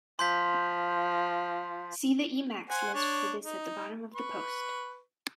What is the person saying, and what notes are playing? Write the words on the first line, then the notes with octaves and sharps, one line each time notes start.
See the Emacs lisp for this at the bottom of the post.
F3 C6 G6 B6
C5 F#5 G#5
D4 C#5
D#4
B4 C#6